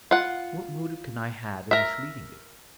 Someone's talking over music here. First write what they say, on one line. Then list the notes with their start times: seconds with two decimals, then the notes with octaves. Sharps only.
What motive can I have in misleading you?
0.11 F4 F#5
1.71 A#4 E5